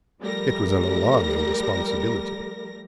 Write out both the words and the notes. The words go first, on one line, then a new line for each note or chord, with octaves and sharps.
It was an alarming responsibility.
F3 G3 A3 A#4 A#6